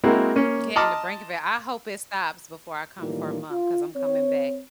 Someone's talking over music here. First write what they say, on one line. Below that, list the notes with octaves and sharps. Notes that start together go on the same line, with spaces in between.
Getting the brink of it, I hope it stops before I come for a month, 'cause I'm coming back
G#3 A#3 C4 E4 F#4 A#4
A#3 C#4
D#5 A5 A#5 C6 D6 F6
A2 D#3 E3 G3 A#3 F4
F4
C4 C#5